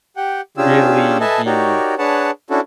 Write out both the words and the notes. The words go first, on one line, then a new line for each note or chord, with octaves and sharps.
really be
G4 F#5 G5
C#4 D4 F4 G4 G#4 E6
A4 B4 D#5 E5 G#5 A5
D#4 F#4 G4 A#4 C#5 D5
D4 G#4 B4 C#5 F#5 A5
C#4 D4 E4 F#4 A4